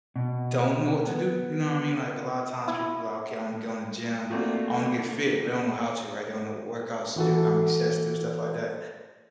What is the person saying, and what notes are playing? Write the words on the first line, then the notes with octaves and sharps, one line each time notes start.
don't know what to do, you know what I mean? Like, a lotta times, people be like, "Okay, I wanna go in the gym. I wanna get fit," but they don't know how to, right? They don't know what workouts to do, how many sets do, stuff like that.
B2
B3
E4
F3 A3 A#3 C4 D4 F#4
E3 F#4 A4